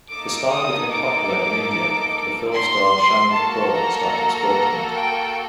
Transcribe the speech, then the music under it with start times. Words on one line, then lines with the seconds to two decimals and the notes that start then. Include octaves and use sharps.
The style became popular in India after film star Shammi Kapoor started sporting it.
0.11 A#3 D#4 A4 D6
0.51 D#6
0.91 D6
2.53 C6
3.32 A#3 F#4 A4 A5
3.73 A#5
4.93 G5